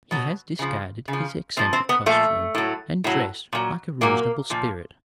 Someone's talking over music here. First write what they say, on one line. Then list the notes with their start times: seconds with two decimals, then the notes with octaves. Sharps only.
He has discarded his eccentric costume, and dresses like a reasonable spirit.
0.11 B2 F#3
0.59 C#3 F3
1.08 C#3
1.13 F3
1.57 A#2 F3 C4
1.73 C4
1.89 B3
2.06 A#2 F3 A3
2.55 A2 F#3
3.04 A2 F#3
3.53 A#2 F#3
4.01 A#2 F#3 A#3
4.50 A#2 F3